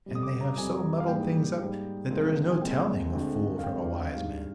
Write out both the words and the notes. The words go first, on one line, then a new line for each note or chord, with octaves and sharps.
And they have so muddled things up that there is no telling a fool from a wise man.
F2 C3 G3
D#6
D6
A#5
F2 C3 G3 G#5
F5
G#2 G3 A#3 G5
G#2 G3 A#3
C2 A#2 G#3 C4
G#5
C2 A#2 G#3 C4 G5
D2 D3 G#3 C4
F5
D2 D3 G#3 C4 G5
D5
G#2 G3 D4 F5